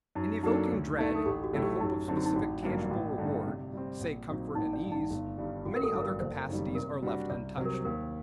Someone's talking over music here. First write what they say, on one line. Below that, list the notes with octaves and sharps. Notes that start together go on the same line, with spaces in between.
In evoking dread and hope of specific tangible reward--say comfort and ease--many other capacities are left untouched.
F#2 D#4
F#3 A#3 D4 D#4 A4
D2
D3 A3 D#4
A4
A1 G4
F#4
A2 F#3 A3
G4
F#2 D#4
D3 F#3 C4 D#4
F#4
D#4
A1 F#4
G2 D3 F#3 A#3
A1 F#4
G2 D3 A3 D#4
C3
G3 C4
A#1
A#2 F#3 C4 D#4
A1 D#4
D5
G2 D#3
D#4
G1
G2 D#3 G3
A1 F#4
A#4
A4
G2 D3 F#3
A#4
F#1 C5
F#2 D#3 G3
C3 A#4
G3 D4 F#4
C2 D5
C3 F#3 C5
A#4
C5
D#2 A#4